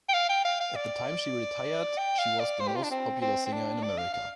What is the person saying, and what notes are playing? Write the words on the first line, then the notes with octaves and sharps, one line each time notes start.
At the time she retired, she was the most popular singer in America.
G5
F5
G5
F5
F5
D5
G5
F5
D5
C5
G4
F4
D4
C4
C4
C4
D4
D5
F5
F5